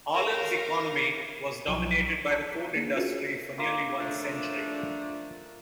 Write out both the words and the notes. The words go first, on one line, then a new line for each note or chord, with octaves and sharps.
Ahlen's economy was dominated by the coal industry for nearly one century.
A#4 F5
B1 F3 F#3 G#5 F6
A5 A#5 C#6 B6
A#3 D4 G#4
C#4 F4 F#4 G#4 A#4 C#5
A#3 F4 D6
F3 A3 D4